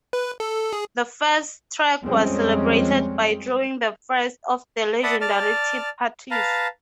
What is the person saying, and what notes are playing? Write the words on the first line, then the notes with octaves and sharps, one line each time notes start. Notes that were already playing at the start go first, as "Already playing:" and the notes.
The first track was celebrated by throwing the first of the legendary Tip parties.
B4
A4
G#4
F2 G3 G#3 C4 C#4
D5 E5 F#5 A5 B5 D#6
D5 A5 F6
B4 F5 A5 A#5